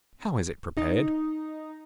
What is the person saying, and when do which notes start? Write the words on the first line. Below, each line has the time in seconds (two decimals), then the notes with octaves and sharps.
How is it prepared?
0.77 D#4